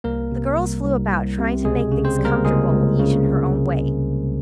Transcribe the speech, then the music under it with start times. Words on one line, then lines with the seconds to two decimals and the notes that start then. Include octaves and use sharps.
The girls flew about, trying to make things comfortable, each in her own way.
0.04 C2 A#3 A#4
0.32 C3
0.58 G3
0.85 C2
1.11 C2
1.39 C3
1.64 C#2 G#3 G#4
1.91 C#3
2.05 C4 C5
2.18 G3
2.25 A#3 A#4
2.45 C#2 G#3 G#4
2.72 C#2
2.99 C#3